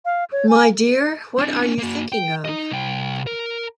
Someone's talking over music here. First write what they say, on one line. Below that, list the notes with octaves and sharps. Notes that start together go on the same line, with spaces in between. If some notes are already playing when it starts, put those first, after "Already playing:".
My dear, what are you thinking of?
F5
C#5
G#5
C4 D4
A#3 F#4
G5
D#4 D#5
C2 G5
A#4